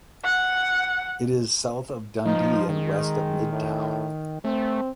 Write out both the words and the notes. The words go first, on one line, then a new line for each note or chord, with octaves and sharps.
It is south of Dundee and west of Midtown.
F#5
F3 D#4
D#3 G#3
A2
A3 C4